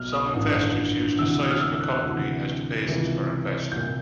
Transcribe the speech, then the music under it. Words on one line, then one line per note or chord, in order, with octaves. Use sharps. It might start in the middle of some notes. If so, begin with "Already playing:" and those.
Some investors use the size of a company as the basis for investing.
Already playing: B1 B2 F6
D#6
A1 G2 D#3 D#6
D2 C3 E3 E6
D#6
F6
E6
F#6
D2 C3 E3
C#2 C3 E3
C2 A#2 G6